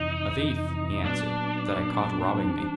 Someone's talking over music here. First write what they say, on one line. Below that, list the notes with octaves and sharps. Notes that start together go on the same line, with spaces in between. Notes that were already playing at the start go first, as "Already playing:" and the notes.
'A thief,' he answered, 'that I caught robbing me.'
Already playing: F2 C3 E3 D#4
F2 C3 E3
A#2 F#3 B3 D4
A#2 F#3 B3
G2 E3 G3 C4